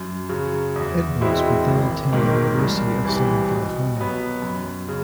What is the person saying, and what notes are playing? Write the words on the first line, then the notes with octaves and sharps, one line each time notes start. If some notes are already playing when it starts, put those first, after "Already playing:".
Edwards would then attend the University of Southern California.
Already playing: F#2
C#3 F#3
E2
B2 G#3 C4 E4
G#1
G#2 D#3 F#3 A#3
C2
C3 E3
B2
F#3 B3
F#2
C#3